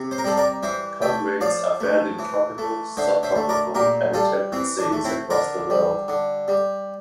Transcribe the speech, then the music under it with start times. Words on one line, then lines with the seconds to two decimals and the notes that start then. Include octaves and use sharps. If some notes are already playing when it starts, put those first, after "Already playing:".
Congrids are found in tropical, subtropical and temperate seas across the world.
Already playing: C3
0.11 C5
0.18 A#4
0.24 G3 A4 C5
0.37 A#4 D5
0.63 E3 C5 E5
1.02 A3 E5 G5
1.41 F3 D5 F5
1.80 A3
2.19 E3
2.58 A3
2.97 D3 C5 E5
3.23 C5 E5
3.36 A3
3.49 A#4 D5
3.75 A#2 G4 A#4
4.14 G3 F4 A4
4.52 E3 C4
4.78 D4
4.92 A3
5.04 C4 E4
5.30 D3 A#4 D5
5.70 G3
6.08 D3
6.48 G3